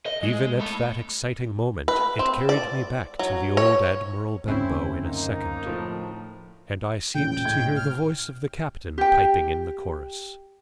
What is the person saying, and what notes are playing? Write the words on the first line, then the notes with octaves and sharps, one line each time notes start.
Even at that exciting moment it carried me back to the old Admiral Benbow in a second, and I seemed to hear the voice of the captain piping in the chorus.
D#5
G#3
A3 B5
B4
C4
D5
F#3
C#5
F#1 D2 C4 C#4 E4 C5
A#3 D#4
A2 F3 F4
E1 A#2 C#3 G5
G5
C#2 A2 G#6
F6
G4 G5